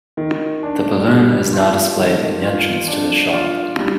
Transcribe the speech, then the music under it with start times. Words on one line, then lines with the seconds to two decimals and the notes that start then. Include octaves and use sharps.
The balloon is now displayed in the entrance to the shop.
0.17 D#3
0.63 D4
1.07 G3
1.53 F4
1.98 D#3
2.44 F4
2.88 D4
3.33 F4
3.79 G3